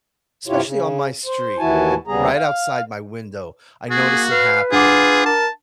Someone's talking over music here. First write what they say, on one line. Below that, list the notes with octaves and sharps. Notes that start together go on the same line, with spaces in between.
especially on my street, and right outside my window, I notice it happening-
G2 C3 E4 F4 G4 C#5
C#3
C5
D#2 E3 E4 F#4 G#5 A5
D#2 C#3 G3 B3 G#4 A#5
F5
A#3 F#4 G#4
B4 F5
D4 F4 G#4 F#5 D6
A#4 A5